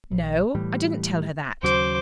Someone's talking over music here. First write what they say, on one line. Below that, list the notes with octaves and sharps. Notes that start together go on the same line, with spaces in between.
"No; I didn't tell her that."
A#1
A2 E3 G3
D#2 C#3 F#3 C5 D6